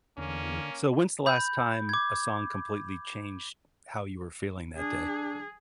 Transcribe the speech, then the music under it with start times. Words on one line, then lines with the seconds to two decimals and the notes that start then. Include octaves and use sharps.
So when's the last time a song completely changed how you were feeling that day?
0.18 E2 D3 A#3 C#4
1.26 B5 G6
1.89 D6 G#6
4.77 D4 G#4